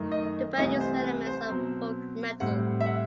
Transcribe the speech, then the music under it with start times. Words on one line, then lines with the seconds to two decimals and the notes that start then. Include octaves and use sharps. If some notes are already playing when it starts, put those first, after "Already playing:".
The band uses elements of folk metal.
Already playing: F#2 D#3 A3 D#4
0.12 D#5
0.58 C2 C3 E3 A3 D#5
0.81 C5
1.03 B4
1.26 C5
1.49 B2 F#3 C4
2.40 A2 G3 C4 E4 F#5
2.81 E5
2.86 F#5